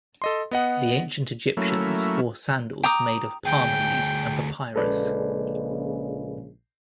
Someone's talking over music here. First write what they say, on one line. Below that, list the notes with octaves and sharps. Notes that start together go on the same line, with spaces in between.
The ancient Egyptians wore sandals made of palm-leaves and papyrus.
A4 D#5 C6
B3 D#5 F#5
F#3 A3 A#3 C#4 E4
G5 A#5 D6 D#6
D2 G#4 G5
A#1 C#3 G#3 A4 B4 D5